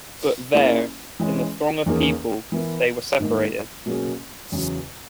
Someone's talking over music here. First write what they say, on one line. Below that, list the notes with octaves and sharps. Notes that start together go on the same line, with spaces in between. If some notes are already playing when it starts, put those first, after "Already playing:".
But there, in the throng of people, they were separated.
A#3 C#4 E4 G#4
E3 G#3 C#4 G#4
E2 D#3 A#3 C#4 G#4
E3 B3 E4 A#4
G#2 D#3 A#3
B2 F#3 A#3 C#4 G#4
E2 C#3 F#3